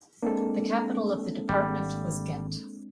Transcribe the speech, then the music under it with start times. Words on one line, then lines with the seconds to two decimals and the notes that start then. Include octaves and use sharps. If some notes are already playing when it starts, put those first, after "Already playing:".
The capital of the department was Ghent.
0.22 G#3 A#3 C4 D4 A4
1.49 G#1 G3